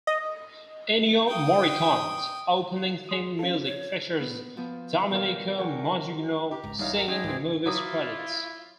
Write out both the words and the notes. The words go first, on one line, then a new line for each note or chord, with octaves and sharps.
Ennio Morricone's opening theme music features Domenico Modugno singing the movie's credits.
D#5
G5 D#6
G#4 C6 D#6
C#4 A4 F5
C#5
B3
F3 B3
B2 D#3 G3 A#4 C#5 F5
F#4 G#4 A#4 F#5 G5 C#6
C6
G4
G#1 C#2 G#2 A#5
G#1 E2 G3 D#4 C#5 F5
A#4 A#5
G#1 C#4 G#4 D#5 G5
C#2 G#2 E3 C4
F#3 E4 F4 D6 D#6 B6